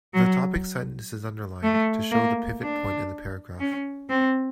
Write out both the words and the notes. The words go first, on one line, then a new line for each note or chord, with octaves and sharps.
The topic sentence is underlined, to show the pivot point in the paragraph.
F#3
A3
A#3
D4
C#4
C4